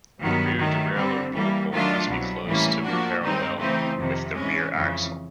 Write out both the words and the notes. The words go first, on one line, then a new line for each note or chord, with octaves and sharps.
The rear derailleur bolt hole must be close to parallel with the rear axle.
G2 D#3 F#3 B3
D#3 F#3 A3
D3 G3 C4
E3 G3 A#3
D#3 F#3 A3 D4 F4
C2 B2 F#3
A2 E3 G3 A#3 C#4
F3 A#3 D4 F#4
G2 D#3 G#3 C4 D#4
C#3 E3 A3 C4 D#4
F2 C3 D#3
G#2 E3 G#3 C#4
F2 C#3 E3